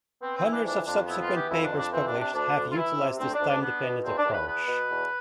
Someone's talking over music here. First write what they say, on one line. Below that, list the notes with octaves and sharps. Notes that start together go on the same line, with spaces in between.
Hundreds of subsequent papers published have utilized this time-dependent approach.
B3 C4
C4
E3 E4
D4
F2 D4
F2 D4
B3 E4
F4
E3
G4
F2 E4
D4
F2
D4
E3 C4
D4
C3
D4
D2 D4
D2
F4
E3 E4
C3
D2 C4
D4
D2
D4
B3 D4
B2
E2 C4
D4
E2
B4
B3 B4
B2
E2